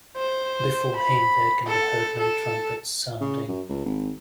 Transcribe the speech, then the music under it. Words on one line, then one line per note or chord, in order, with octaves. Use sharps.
Before him there can be heard many trumpets sounding.
C5
B5
A4
A4
C#3
F#2
C#2
G#1